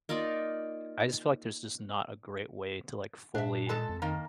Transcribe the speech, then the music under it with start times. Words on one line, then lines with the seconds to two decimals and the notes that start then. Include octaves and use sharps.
I just feel like there's just not a great way to, like, fully
0.09 A#3 D#4 F4 D5
3.35 A#2 D4 E5
3.69 G#3 A4 A5
3.89 F2
4.02 D#3 A#3